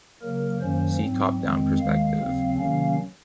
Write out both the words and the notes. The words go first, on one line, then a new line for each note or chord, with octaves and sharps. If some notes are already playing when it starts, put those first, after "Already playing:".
See top-down perspective.
C#3 F#3 A#3 A#4
F#2 D#3 F#3 A#3 C#4 C5
G#2 F#3 C4
F2 D#3 G#3 C4
D#2 D#3 G#3 F5
D#2 C#3 F#3 C4
C3 D#3 F#3 A#3 C#4 F5